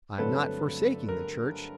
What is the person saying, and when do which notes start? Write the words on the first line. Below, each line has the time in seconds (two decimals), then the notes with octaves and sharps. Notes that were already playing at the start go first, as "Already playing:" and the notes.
I am not forsaking the Church.
0.18 G2 D3 F#3 A3 C4 A4 B4
1.09 A#4